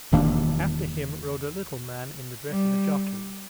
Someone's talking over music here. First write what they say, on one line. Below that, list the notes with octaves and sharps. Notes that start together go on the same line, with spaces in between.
After him rode a little man in the dress of a jockey.
E1 D#3 A#3 D4
G3